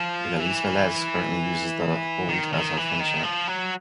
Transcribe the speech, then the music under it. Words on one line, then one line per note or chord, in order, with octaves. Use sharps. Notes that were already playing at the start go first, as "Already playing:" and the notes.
Ivelisse Velez currently uses the hold as her finisher.
Already playing: F3
E3
D#3
D#3
E3
D#3
F3
F#3